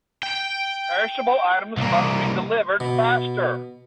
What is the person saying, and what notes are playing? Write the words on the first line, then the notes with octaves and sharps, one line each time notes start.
Perishable items must be delivered faster.
G5
C2 A#3
B2